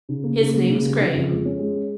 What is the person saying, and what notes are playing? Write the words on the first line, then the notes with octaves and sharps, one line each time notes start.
His name's Graham.
C#3
A#3
C#3
A#3
C#3
G3
C#3
F2
G#3
C#4
G#3
G#3